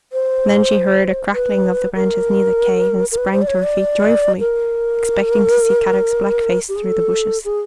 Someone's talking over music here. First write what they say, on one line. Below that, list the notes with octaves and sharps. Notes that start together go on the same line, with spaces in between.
Then she heard a crackling of the branches near the cave and sprang to her feet joyfully, expecting to see Kadok's black face through the bushes.
C5
B4
A#4
A#4
B4
C5
D5
C#5
D5
A#4
G4
G#4
A4
G#4